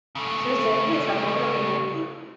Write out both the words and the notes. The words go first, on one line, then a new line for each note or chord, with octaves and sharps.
She was generally a supporter of the New Deal.
C#3 A3